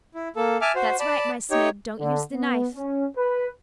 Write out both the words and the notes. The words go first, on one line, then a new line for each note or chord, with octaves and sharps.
That's right, my Smid, don't use the knife!
E4
A#3 A4
E5 G#5 A5 D6 F6
F#4 C5
D5 A5 B5
D#4 G4 C#5
D3
B3
C#4
B4